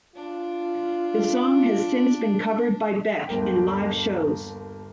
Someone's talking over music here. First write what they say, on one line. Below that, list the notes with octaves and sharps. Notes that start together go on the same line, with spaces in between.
The song has since been covered by Beck in live shows.
D4 F4
G1 D#2 A#4 G5